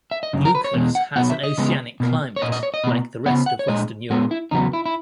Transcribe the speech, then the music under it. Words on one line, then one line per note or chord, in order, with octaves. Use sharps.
Leuchars has an oceanic climate, like the rest of Western Europe.
E5
D#5
F#2 C#3
A#4
B4
C#5
E2 B2 G#3
F#5
B2 F#3 B3 F#5
E5
D#5
C#3 G#3 B3
B2 A#3
C#5
A#2 A#3 D#5
D#5
C#5
D#5
B2 A#3
C#3 E3 B3 F#5
F#5
C#5
A#2 G#3 D#5
A#2 G#3 B3 F#4
E4
E2 C#3 F#3 B3 D#4
E4
E4